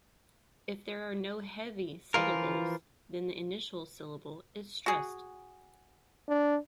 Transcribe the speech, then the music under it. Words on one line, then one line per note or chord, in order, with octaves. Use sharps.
If there are no heavy syllables, then the initial syllable is stressed.
E3 F3 F4 A#4
F#4 G#4
D4